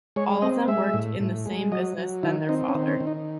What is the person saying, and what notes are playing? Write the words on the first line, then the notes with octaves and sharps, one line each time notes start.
All of them worked in the same business than their father.
G#3 C#5
C4 D#5
G#3 E5
A2
A2
G#3
F#3 D#5
F#3
D#3 E4
C4 D#4
C#4
D#3
C#4
D#3
D#4